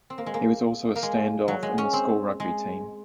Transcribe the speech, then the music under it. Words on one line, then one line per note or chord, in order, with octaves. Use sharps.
He was also a stand-off in the school rugby team.
C4
A#3
G#3
A#3
A#3
G#3
F#3
G#3
C#4
C4
G#3